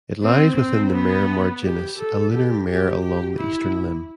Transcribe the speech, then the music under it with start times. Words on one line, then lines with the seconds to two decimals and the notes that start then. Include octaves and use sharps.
It lies within the Mare Marginis, a lunar mare along the eastern limb.
0.23 C4
0.57 C4
0.92 B3
1.62 G4
1.98 A4
2.33 G4
2.68 G4
3.03 G4
3.38 E4